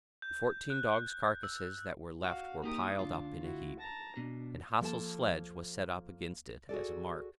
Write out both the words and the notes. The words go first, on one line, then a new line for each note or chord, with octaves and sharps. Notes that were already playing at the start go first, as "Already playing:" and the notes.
The fourteen dogs' carcasses that were left were piled up in a heap, and Hassel's sledge was set up against it as a mark.
G6
F#6
E6
F#4 F5
A#3 D#4 G4 A#4 D#6
D2 G#2 D4 F4
E4 F#4
A5 A#5
B2 D4
F3 A#3 A4 A5
F#4 G#4 A4 D5